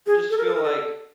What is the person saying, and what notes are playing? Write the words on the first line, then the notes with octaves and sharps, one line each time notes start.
I just feel like,
G#4
A4
A#4
A4
A#4
A4